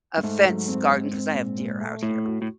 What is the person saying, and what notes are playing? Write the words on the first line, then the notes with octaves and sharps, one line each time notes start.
a fence garden, 'cause I have deer out here.
G2
G#2 A3
F#3
C4
C4
C4
A#2
A#2
A3
A2 A3
F#4
A2